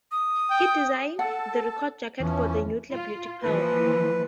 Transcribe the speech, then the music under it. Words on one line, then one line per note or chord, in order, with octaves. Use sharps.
He designed the record jacket for The Nuclear Beauty Parlor.
D#6
G5
A4 F#5 A5
E2 E3 F3 C#4
F4
E3 F3 A#3 B4